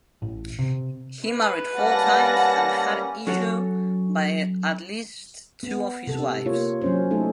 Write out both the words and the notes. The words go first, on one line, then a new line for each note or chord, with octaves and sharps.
He married four times and had issue by at least two of his wives.
A1
C3
B4
G3 A#3 C#4 F#5 A5 A#6
F#3 C#4 F#4 A4 C#5
B3
C3 A4
A#3 F4 C#5
F#3 C#4 C5
A3 D#4 A4